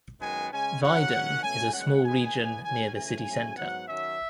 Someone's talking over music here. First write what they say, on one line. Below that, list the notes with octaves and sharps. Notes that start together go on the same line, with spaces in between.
Wieden is a small region near the city centre.
F#2 D#3 G#3 B3 G#5
C#3 G#3 C#4 G#5
C#3 F#3 C#4 F#5
D#3 F#3 C#4
B2 A3 C#4 G#5
D#3 G#3 C#4 F#5
D#3 G#3 B3 G#5
A2 E3 B3
D#3 F#3 C#4 G#5
C#3 E3 A3 G#5
G#2 F#3 A3 C#4
G#2 F#3 B3 F#5
D#3 F#3 C#4 E5